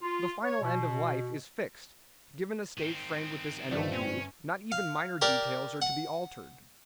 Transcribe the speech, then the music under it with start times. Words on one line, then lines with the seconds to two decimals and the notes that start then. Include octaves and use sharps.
The final end of life is fixed; given a state framed with this end in view, not even minor details are to be altered.
0.02 F4
0.44 C#5
0.61 B2
2.78 D#3 C4
3.71 G1 D#3 F3 G3 A3 D4 D5
3.92 C4 C#4
4.72 F5
5.22 G4 A#4 D5
5.82 F#5